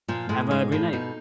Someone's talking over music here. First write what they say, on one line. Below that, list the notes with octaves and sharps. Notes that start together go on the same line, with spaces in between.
Have a great night.
A#2 F3
A2 G#3
G#2 G#3
A2 F3
B2 D#4